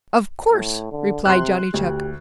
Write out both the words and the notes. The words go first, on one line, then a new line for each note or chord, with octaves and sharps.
"Of course," replied Johnny Chuck.
A2
D3
C3 C6 F#6
D2 G4